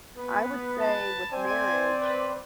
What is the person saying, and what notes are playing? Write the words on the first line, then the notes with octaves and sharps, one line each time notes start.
I would say with marriage,
B3 B4
A5
C4 C5 D5 G#5
B4